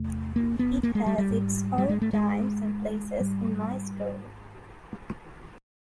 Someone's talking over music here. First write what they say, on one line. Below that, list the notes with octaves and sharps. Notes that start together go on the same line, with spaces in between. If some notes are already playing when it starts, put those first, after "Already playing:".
It has its own times and places in my story.
Already playing: E2 C3 A3
A#3
B3
A#3
G#3
G3
G3
G#2
G3
G#3
A3
G#3
G#2 G3